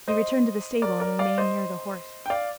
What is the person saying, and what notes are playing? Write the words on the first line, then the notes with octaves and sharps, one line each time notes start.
He returned to the stable and remained near the horse.
C5 D#5
A#4 D5
A#4 D5
D5 F5
C5 D#5
G5
D5 F5